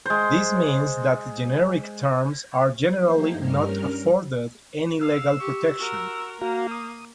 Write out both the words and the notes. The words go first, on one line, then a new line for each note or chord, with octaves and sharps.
This means that generic terms are generally not afforded any legal protection.
G#3 C5
F3 A3 A#3 D#4 G4 C5
G2 G3 C#4 A#4 F6
F5 E6
G4 C#6
F#4 A#4
A#3 F#4 F5 A#5
D#6